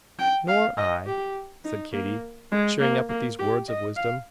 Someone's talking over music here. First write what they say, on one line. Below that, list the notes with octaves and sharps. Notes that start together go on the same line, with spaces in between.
"Nor I," said Katy, cheering up at these words of wisdom.
G5
F5
D#5
G4
D#4
A#3
G#3
A#3
A#3
G4
D#5
F5